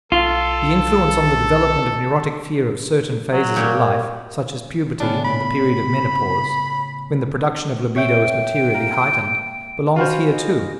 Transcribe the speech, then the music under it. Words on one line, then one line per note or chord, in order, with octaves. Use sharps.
The influence on the development of neurotic fear of certain phases of life, such as puberty and the period of menopause, when the production of libido is materially heightened, belongs here too.
B1 F4 A4
F#3
A#2 G4 C#5
A2 C#3 B3 D4
B5
C#5 E5 G5 G6
A#3
F4 F#4 C5 G#5 B5 F6
D#5